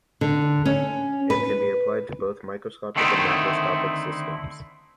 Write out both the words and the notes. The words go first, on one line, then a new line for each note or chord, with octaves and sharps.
It can be applied to both microscopic and macroscopic systems.
D3
C#4
B4
D3 D#3 A3 C4 D#4 E4